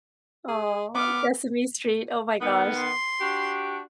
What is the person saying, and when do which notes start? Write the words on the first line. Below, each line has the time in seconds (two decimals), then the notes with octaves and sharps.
Oh, Sesame Street, oh my gosh.
0.48 G#4
0.95 B3 D6 F6
2.41 D#3 B3
2.79 C6
3.21 D4 F#4 G4